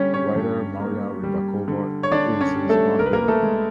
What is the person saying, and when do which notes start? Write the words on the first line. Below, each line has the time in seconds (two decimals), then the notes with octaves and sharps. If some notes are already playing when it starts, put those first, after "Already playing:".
Writer Maria Rybakova is his granddaughter.
Already playing: D3 G3 C#4 G4 C#5
0.14 C#4 C#5
0.36 G2
0.80 A#3
1.23 G3
1.68 D3
2.03 C#5
2.12 D3 D4 D5
2.41 C#4 C#5
2.56 G3
2.69 A3 A4
2.99 C2 A#4
3.06 B4
3.13 A#3 A#4
3.28 A3 A4
3.43 G#3